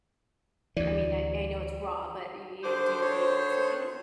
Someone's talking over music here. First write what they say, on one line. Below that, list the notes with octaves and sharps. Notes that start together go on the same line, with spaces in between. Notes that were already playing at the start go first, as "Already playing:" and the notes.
I mean, I I know it's raw, but you you do you eat sashimi?
D2 E3 D5
D3 D#3 C5 D6
C#5